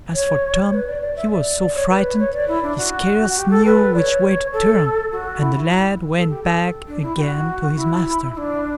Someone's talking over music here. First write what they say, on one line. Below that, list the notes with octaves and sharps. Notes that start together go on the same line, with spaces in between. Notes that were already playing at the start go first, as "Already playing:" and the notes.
As for Tom, he was so frightened he scarce knew which way to turn, and the lad went back again to his master.
C#5
B4
D5
D5
E5
D5
D5
C#5
B4
C#5
D5
E4
D4
F#4
G4
A4
B4
D5
C#5
A4
F#4
E4
E4
A4
G4
A4
D4
E4
G4
F#4
E4
E4
D4